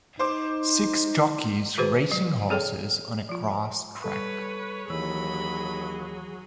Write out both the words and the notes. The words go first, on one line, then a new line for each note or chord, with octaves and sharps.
Six jockeys racing horses on a grass track.
D#4 C5 D6
D#3 F#4 G#4 B4 C5
F#3
C4 G#4 A4 C#5 G5
F3 F4
G3 A4 B4 C#5 C#6
D#2 E3 F#3 G#4 C#5 B5 E6